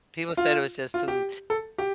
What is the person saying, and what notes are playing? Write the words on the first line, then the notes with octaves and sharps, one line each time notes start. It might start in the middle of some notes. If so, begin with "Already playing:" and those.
People said it was just too
F4
F4
G4
A4
G4